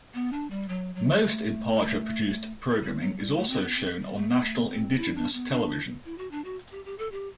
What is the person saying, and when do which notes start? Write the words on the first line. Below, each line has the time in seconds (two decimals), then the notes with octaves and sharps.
Most Imparja-produced programming is also shown on National Indigenous Television.
0.14 B3
0.33 D4
0.50 G3
0.69 F#3
0.95 F#3
1.22 A3
2.83 G3
3.01 F#3
3.18 G3
3.37 A3
3.49 C4
3.63 B3
3.77 C4
4.03 G3
4.17 A3
4.30 B3
4.44 A3
4.70 C4
4.98 E4
5.15 D4
5.33 B3
5.51 D4
6.05 E4
6.18 F#4
6.31 D4
6.45 F#4
6.72 G4
6.85 G4
6.98 A4
7.12 G4